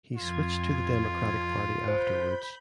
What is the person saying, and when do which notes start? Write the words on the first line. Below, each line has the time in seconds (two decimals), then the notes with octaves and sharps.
He switched to the Democratic Party afterwards.
0.15 F2 F4 G#6
1.88 C5 B5 G6